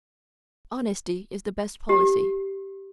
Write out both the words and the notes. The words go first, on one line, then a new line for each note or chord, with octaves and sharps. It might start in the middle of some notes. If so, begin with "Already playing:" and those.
Honesty is the Best Policy.
G4